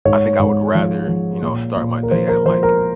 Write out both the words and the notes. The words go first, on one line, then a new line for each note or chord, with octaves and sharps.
I think I would rather, you know, start my day at, like,
G#2 C#5
G#2
F3
F3
A#2
A#2
A#4
F3 C5
A#4
F3 C5
A#4